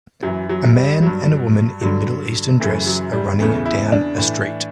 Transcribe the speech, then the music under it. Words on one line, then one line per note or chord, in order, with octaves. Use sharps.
A man and woman in MiddleEastern dress are running down a street.
F#2 E3 F#3
F#3
G3
G2 F#3
G2 D3 F#3
F#2 C#3 E3 A3
F#3
G3
E2 C#3 E3 A3
E4
D4
A2 E3